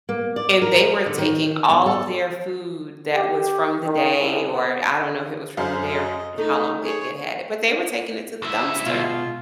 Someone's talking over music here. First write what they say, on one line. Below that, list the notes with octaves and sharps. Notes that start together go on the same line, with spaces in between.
and they were taking all of their food that was from the day, or I don't know if it was from the day or how long they had had it, but they were taking it to the dumpster.
A#3
D5
A#4
D3
D#3
E2
A4
G4
D#3
C2
B3
F#2 C5 F5
D#5
A3 D#4
G#4 C#5
D2 E4
B2 G#3 F4